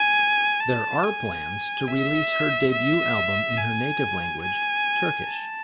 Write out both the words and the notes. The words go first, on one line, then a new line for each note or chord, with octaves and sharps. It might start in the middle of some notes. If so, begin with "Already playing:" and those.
There are plans to release her debut album in her native language, Turkish.
Already playing: G#5
A5
G#5
E5
E5
G#5
G#5
A5